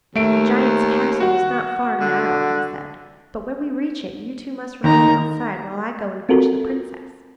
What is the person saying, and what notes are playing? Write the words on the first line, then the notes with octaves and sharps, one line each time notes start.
'The giant's castle is not far now,' he said, 'but when we reach it you two must remain outside while I go and fetch the princess.
D#2 A3 E5 D7
F#4 F#5
D3
D#2 D#4 A#4 A#5
C4 F4 F#4 A4 A#4